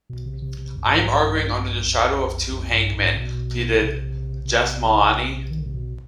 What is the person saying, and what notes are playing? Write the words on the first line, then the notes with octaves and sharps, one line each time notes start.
"I am arguing under the shadow of two hangmen", pleaded Jethmalani.
B2
C3
C3
C3
F2
G2
G#2
G2
F2
F2
G2
G#2
B2
C3
C3
D#3
D3
C3
B2